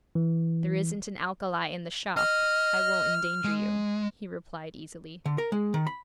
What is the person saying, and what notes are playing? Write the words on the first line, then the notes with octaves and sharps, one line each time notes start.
'There isn't an alkali in the shop; I won't endanger you,' he replied easily.
E3
D#5 F6
G#3
D3
A#4
G#3
D#3
B5